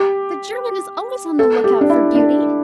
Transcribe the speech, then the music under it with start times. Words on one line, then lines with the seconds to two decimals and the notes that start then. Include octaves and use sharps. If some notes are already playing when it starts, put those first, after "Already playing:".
The German is always on the lookout for beauty.
Already playing: G4
1.39 A4
1.64 G4
1.81 D4
1.90 E4
2.15 D4